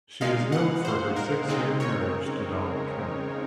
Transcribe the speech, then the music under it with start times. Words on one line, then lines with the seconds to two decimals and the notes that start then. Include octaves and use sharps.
She is known for her six-year marriage to Donald Trump.
0.21 A#2 G#3 D#4 F5
0.52 F#5
0.85 C5
1.16 A#4
1.48 C#3 G#3 C4 D#4
1.80 C#5